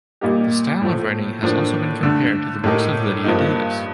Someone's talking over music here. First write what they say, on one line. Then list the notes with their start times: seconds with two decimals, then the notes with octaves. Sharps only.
The style of writing has also been compared to the works of Lydia Davis.
0.21 A#2 G3 A#3 D#4 G4
0.81 A2 F3 A3
1.43 A2 F3 A#3 D4
2.03 D3 A3 D4
2.64 A2 A3 D#4 G4 A#4
3.24 G2 F3 A#3 D#4